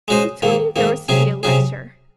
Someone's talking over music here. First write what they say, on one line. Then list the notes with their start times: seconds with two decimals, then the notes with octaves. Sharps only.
"Who told you there was to be a lecture?"
0.08 G#3 C#4 F#4 C5 D#5
0.42 G#2 D#3 A#3
0.76 G#2 D#3 A#3
1.08 C3 F#3 C#4 G#4
1.43 C3 F#3 C#4 G#4